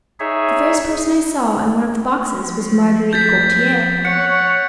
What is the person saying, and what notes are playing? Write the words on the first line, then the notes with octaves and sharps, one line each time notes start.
The first person I saw in one of the boxes was Marguerite Gautier.
D#4 G#4 C#5 E5
F3
G6 A6 B6
C#5 F#5 C#7